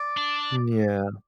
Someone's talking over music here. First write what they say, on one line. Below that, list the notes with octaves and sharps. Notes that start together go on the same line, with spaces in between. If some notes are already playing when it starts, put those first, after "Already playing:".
Mm, yeah.
Already playing: D5
D4